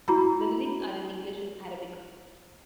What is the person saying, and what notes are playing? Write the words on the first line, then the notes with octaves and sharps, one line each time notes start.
The lyrics are in English and Arabic.
E4 F#4 A#5 B5